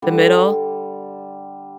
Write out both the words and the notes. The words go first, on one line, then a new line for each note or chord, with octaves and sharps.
the middle?
D3 G3